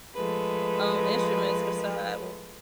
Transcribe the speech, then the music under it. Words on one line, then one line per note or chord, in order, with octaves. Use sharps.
um, instruments beside
F3 G#3 A3 B4